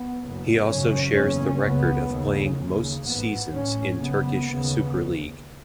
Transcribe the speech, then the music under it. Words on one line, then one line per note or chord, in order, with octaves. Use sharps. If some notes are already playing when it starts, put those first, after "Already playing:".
He also shares the record of playing most seasons in Turkish Super League.
Already playing: B3
F#1 F#2 C#3
G#1 F#2 C#3 C#4
F#1 E2 C#3 C#4
C#2 C#3 B3
D#2 C#3
D#2 C#3
A1 G#2 B3
A1 A2 C#4
G#1 F#2 C#3 B3
D#2 C#3 B3